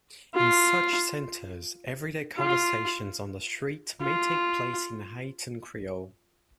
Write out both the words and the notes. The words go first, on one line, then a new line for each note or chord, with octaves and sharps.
In such centers, everyday conversations on the street may take place in Haitian Creole.
F4
F4
F4